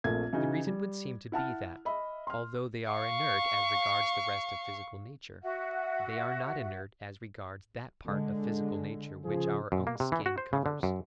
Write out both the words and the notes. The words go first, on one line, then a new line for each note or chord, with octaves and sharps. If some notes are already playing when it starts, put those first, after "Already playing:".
The reason would seem to be that, although they are inert as regards the rest of physical nature, they are not inert as regards that part of physical nature which our own skin covers.
A#1 A3 A#3 C4 G#6
C#3 E3 D#4 F#4
G3
E4 F#5 A5 F6
D#5 E5 B5
C6 F6
F5 C#6
F#4 E5 F#5
D3 G#3
C#3 F3 G#4
F#2
A#3
C3
E3
F#4
C5
C#3
D3
F#2